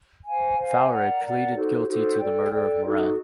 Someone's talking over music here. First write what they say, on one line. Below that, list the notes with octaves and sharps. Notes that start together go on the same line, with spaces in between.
Faure pleaded guilty to the murder of Moran.
C5 F5 G#5
C5 F5 G#5
A#4 D5 F#5 A#5
A#4 D5 F#5 A#5
D#4 F#4 A4 C5
D#4 F#4 A4 C5
A4 D5 G5
A4 D5 G5
D#4 F#4 A4